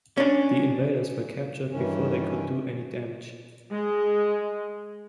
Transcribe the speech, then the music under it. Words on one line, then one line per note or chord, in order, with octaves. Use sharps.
The invaders were captured before they could do any damage.
C#4 D4
G2 D#3 E3 C#4
G#3